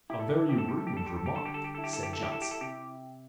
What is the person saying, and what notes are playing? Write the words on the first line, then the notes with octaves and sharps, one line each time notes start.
"A very rude remark," said Johnson.
E4 G4
A4
G4
A4
C4 G4
A4
G4
A4
G4
G3 A4
G4
A4
G4
D3 A4
G4
A4
G4
E4 A4
G4
A4
G4
A4
E4 G4
A4
G4
A4
C3 G4